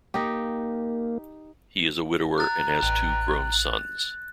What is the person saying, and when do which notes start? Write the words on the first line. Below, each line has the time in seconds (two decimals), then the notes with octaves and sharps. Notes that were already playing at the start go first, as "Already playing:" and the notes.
He is a widower and has two grown sons.
0.14 A#3 D#4 G4
2.38 A#5 F#6 A6
2.82 A1 G5 F#6